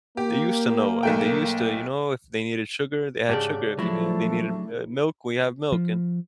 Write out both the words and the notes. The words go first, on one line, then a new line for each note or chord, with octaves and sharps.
they used to know and they used to, you know, if they needed sugar, they had sugar, if you needed they needed, uh, milk, we have milk and
A#3 G4
B1 A3 G5
G#2 C#3 D4 G4 D5
F3 F#3 A3 D4 E4
F3